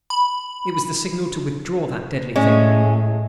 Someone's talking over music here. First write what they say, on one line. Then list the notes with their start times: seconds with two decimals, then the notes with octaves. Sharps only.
It was the signal to withdraw that deadly thing.
0.10 B5
2.36 A2 G#3 C#4